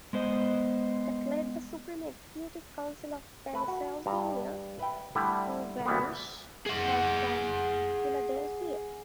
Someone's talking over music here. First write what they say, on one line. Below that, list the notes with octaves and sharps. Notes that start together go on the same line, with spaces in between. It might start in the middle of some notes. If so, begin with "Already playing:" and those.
That led the Supreme Executive Council of Pennsylvania to banish her from Philadelphia.
G#3 B3 C5 D#5
A3 B4
F#4
G2 A#5
B4 E5 G5
D3 G3 A3 E4
D2 E3 G3 A#3 B3
G#4 F#5